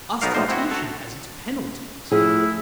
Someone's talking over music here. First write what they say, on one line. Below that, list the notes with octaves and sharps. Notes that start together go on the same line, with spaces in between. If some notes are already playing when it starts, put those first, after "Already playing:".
Ostentation has its penalties.
B1 B3 D#4 F#4 A#4 F5
D2 A2 D3 F3 D#4 C5
C4 E4 F#4
F#4 A4
A2 F3 E4 G#4